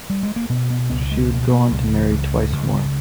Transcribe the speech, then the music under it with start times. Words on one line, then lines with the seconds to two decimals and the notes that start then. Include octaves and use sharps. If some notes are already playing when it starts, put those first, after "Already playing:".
She would go on to marry twice more.
0.10 G3
0.23 G#3
0.36 A#3
0.50 B2 B3
0.71 B3
0.90 C#2 B3
1.11 G#3
1.31 B2 A#3
1.51 A#3
1.71 C#2 G3
1.91 E3
2.11 C#2
2.52 C#2